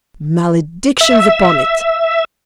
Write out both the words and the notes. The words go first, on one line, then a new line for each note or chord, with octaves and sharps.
Maledictions upon it!
E5